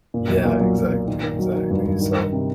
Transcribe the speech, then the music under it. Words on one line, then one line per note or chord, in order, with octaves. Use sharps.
Yeah, exactly, exactly, so,
A#2
B1
A#2
F#3
F#3
A#2
D#3
D#3
F#3
D#3
G2
G2
D#3
D#3
C3